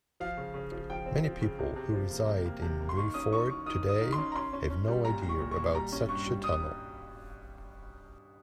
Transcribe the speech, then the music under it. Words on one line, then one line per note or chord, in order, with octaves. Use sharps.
Many people who reside in Vieux-Fort today have no idea about such a tunnel.
F3 F5
C#3
C#3
F3
F3 G5
C4
F3
C#3
C3
C3
F3
A#3
C3
A#3
C3
A#3
C6
D#3 C#6
C#4 D#6
D#3 C#6
D#3 C#6
D#3 D#6
D#3
D#6
D#3
C6
C#4
A#5
C#4 C6
C#4
C#4
G3
A#2 A#5
G3
C#6
A#2
C#6
A#2
G3 A#5
C#4
G2 C#6
G3
G3 D#6